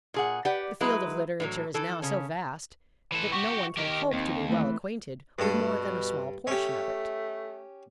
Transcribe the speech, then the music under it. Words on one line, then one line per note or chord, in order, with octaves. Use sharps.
The field of literature is now so vast that no one can hope to be well acquainted with more than a small portion of it.
A#2 G#4 F#5
G4 B4 D5 F#5
F#3 G#3 E4 B4
A2 E3 F#3
E3 A4
C#3 C#4
E3 A4
F#4 G4 C#6
D#3 G4 A#4
D#2 C4 D#4
E3 A3
G2 B2 A4
A3 C#4 G4